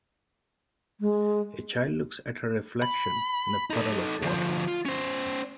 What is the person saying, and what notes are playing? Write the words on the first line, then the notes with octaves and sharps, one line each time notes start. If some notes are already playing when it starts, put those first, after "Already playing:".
A child looks at her reflection in a puddle of water.
G#3
B5
D#4 A4
D2 F3
F4
C#4 C5